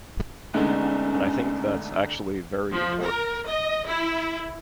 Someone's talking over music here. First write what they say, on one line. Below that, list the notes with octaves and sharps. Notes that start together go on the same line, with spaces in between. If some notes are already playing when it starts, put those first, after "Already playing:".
And I think that's actually very important.
C2 D3 G#3 A3 B3 C#4 D#4
F3
A#4
D#5
E4